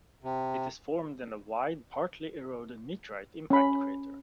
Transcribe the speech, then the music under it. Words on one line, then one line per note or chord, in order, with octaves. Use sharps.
It is formed in a wide, partly eroded meteorite impact crater.
C3
C#4 B5